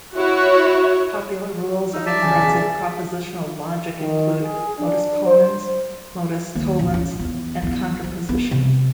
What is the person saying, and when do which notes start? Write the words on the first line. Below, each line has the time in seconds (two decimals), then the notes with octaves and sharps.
Popular rules of inference in propositional logic include "modus ponens", "modus tollens", and contraposition.
0.17 E4 F#4 C#5
1.93 D#4 E6
2.06 D5 E5 A5
2.21 C#2 E3 G#5
2.35 E1 E3
3.98 D#3
4.42 G#4
4.78 D4
5.26 C5
6.55 D#2
6.79 D#1
6.94 F#2
7.19 E2
7.62 E2
8.04 F3
8.29 B3
8.51 C3